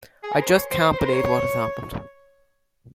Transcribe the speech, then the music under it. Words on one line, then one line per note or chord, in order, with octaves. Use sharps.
I just can't believe what has happened.
G#4
A#4
C5
C#5
C5
C5
A#4
C5
C#5